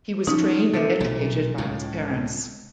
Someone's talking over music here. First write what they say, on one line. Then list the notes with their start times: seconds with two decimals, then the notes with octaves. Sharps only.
He was trained and educated by his parents.
0.27 F3 C#4 D#4
0.74 C3 A4 E5
1.00 B1 A#2
1.58 C#2 A2